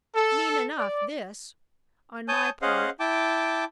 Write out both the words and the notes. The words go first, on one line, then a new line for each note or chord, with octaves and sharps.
Mean enough this, on my part.
A4
D5
C#5 G#5 A5 D#6 G6
C#4 G#4 C5 D#5 F5 F#5
E4 G5 A5 D6